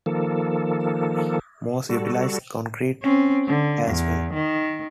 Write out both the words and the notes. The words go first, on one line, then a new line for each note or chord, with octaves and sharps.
Most utilized concrete as well.
D#3 F3 A#3 A4
G3 F#4 A4
C4 C#4
D3
E2
D#3